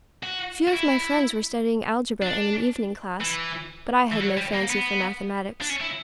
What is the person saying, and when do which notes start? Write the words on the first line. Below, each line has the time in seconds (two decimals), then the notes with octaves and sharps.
A few of my friends were studying algebra in an evening class, but I had no fancy for mathematics.
0.23 F#4
0.68 F#4
0.73 E4
2.22 D4
3.21 E3
4.12 E3
4.21 F#3
4.37 G3
4.54 A#3
4.70 B3
5.61 D4
5.70 C#4
5.81 E4